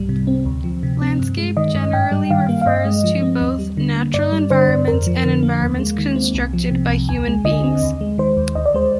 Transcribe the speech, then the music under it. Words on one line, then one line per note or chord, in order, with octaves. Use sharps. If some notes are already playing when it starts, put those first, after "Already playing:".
Landscape generally refers to both natural environments and environments constructed by human beings.
Already playing: C2 G#2 G3
C3
C4
D2
F3
C3
C4
G2
G#3
D#3 D#5
G2
G#2 G5
G3
D#3 F5
A#3
F5
G2 D#5
G#3
F3
C4
D#2
G3
D3
A#3
G2 D5
G3
D3 C5
G2
F2 A#4
F3
D3
A#3
D#2
G#3
D#3
C4
C2
F3
C3
C2
D#2 G#5
G#3
D3 D#5
C4
D#2
G#3
D#3 C5
D#2
D2 D#5
D5
G#3 C5